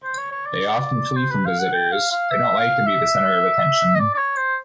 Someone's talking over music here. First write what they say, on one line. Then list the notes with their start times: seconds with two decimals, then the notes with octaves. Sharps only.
They often flee from visitors; they don’t like to be the center of attention.
0.04 C5
0.18 C#5
0.32 C#5
0.46 D5
1.16 C5
1.30 B4
1.46 F5
1.59 F#5
1.73 G5
1.92 F5
2.11 F5
2.30 E5
2.58 F5
2.86 E5
3.95 D#5
3.99 D5
4.14 D5
4.18 C#5
4.37 C5